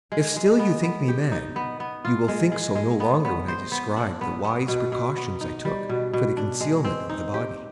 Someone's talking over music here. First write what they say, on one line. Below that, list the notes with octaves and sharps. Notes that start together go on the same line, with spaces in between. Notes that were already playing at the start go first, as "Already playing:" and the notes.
If still you think me mad, you will think so no longer when I describe the wise precautions I took for the concealment of the body.
G#3
G#3
B3
B3
G4
D#4
B3
B3
F4
G#3
G#3
G#3
B3
B3
C5
B3
D4
B3
B3
B2
B2
B3
D#4
G3
B2
B2
D4
G#3
C4
D#4
G4